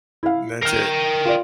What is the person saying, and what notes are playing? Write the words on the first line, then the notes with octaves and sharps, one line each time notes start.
That's it.
E4 F5
A#4 G5 F6 C7
F4 D5